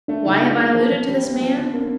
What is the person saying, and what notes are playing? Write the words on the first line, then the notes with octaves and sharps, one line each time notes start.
Why have I alluded to this man?
A3 D4
C#3 D#4
D4 F4
G#3
F3
F3
G3
C4
F3 B3
D3 C4
A#3 C#4